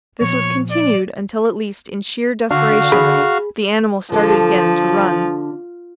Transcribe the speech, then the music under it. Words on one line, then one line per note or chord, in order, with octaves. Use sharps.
This was continued until, at least, in sheer desperation, the animal started again to run.
A#2 F3 B3 C#5
D5
D3 F#4 F5
G#4 B5
D3 F3 A4